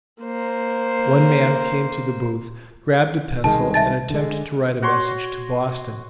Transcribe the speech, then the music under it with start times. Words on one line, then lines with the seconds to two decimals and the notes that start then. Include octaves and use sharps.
One man came to the booth, grabbed a pencil, and attempted to write a message to Boston.
0.22 A#3 C5
3.44 C2 D#3 G#3 A5
3.74 E5 A5 A6
4.10 D3 G#3
4.82 F#4 C#5 C6